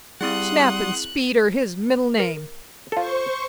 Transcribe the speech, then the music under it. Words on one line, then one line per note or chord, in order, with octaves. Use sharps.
Snap and speed are his middle name!
G3 C4 E4 G#4 F#5 C6 D#6 F#6
A#4
F4 A4 C5 C#6